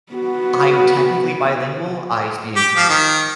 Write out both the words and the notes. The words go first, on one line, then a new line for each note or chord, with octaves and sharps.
I'm technically bilingual, I speak
B3 F#4
G4
F3
D#3